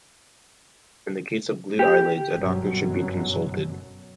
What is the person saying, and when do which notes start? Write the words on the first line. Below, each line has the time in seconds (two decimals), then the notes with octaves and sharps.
In the case of glued eyelids, a doctor should be consulted.
1.79 G4
2.37 G1 F#2 B2 F#3